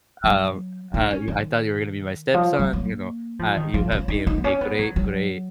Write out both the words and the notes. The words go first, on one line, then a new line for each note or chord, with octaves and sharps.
Um, uh, "You I thought you were gonna be my stepson," you know, uh, "you have been a great, great
F#3
D#4
C#4
D#3
F3
F#3
A#3
F3
D#3
F3
C#4
D#4
D#4
B3
C#4
B3
F#3
F#3